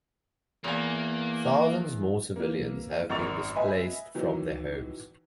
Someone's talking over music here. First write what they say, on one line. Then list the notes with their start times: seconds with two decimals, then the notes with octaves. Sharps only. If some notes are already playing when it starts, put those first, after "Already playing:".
Thousands more civilians have been displaced from their homes.
0.64 E2 A#3 G#5
2.36 E3 A#3
3.09 G#1 F#2 A#4 C#6 A6 F7
3.55 B4 D#5 E5 G#5
4.15 D#3 E3 F#3